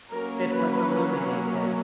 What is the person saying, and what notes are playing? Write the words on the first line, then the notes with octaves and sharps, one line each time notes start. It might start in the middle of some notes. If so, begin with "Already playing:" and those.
It was illuminated.
F#3 A#3 C#4 A#4
B4